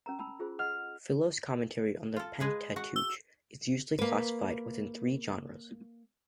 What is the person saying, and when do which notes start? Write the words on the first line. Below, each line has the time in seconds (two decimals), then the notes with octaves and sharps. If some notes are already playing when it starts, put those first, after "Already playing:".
Philo's commentary on the Pentateuch is usually classified within three genres.
0.06 C#4 A#4 A#5
0.19 A5 B5 E6
0.39 F4 G#4 C5
0.59 D#5 F#5 F6
2.16 F4 A4
2.40 G#3 G#4 B4
2.76 F#4 F#5
2.96 E6 G7
3.99 A#3 B4